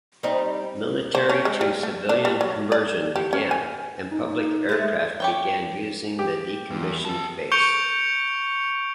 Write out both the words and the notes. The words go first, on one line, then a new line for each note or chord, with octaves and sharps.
Military to civilian conversion began, and public aircraft began using the decommissioned base.
G3 C4 D#4
C5
C#4
G#3
G3
A3
D4
G3
F#3
D5
G4
C#4
G#5
D#4
G#3 A3 A6
G4 C#5 G5
G4
E2
G#4 A5
C#6 G6 C#7 D7 F7 G7